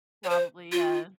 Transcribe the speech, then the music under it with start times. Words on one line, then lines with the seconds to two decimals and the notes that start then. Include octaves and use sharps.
Probably, yeah.
0.24 C#5
0.30 C5
0.72 F4